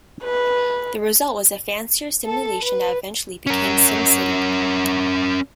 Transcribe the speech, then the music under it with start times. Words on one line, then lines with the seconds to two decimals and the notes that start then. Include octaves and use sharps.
The result was a fancier simulation that eventually became "SimCity".
0.24 B4
2.25 A4
2.64 B4
3.47 C#4 A#4